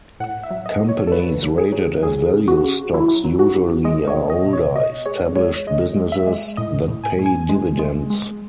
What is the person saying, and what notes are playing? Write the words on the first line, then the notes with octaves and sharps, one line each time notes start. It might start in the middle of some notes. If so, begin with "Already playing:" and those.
Companies rated as value stocks usually are older, established businesses that pay dividends.
A2 F#5
E5
F#3
D#5
A2
C#5
A4
F#3 B4
F#3
G#4
F#3
F#3 G#4
C#3
F#4
C#3
F#3 E4
F#3
F#4
C#3
G#3 D#5
C#5
B2
D#5
B2
C#5
B2 D#5
G#3 C#5
G#3 C#5
G#3 D#5
G#3
E5
G#3
A2 D#5
A2
G#5
A2
G#5
G#3
G#3
G#3